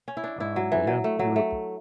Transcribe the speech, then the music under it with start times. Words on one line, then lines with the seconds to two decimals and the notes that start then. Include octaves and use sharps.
um, but yeah, Europe,
0.08 C#4
0.17 E4
0.24 D4
0.40 E4
0.56 F#3
0.72 E3
0.87 F#3
1.04 A3
1.19 F#3
1.36 A3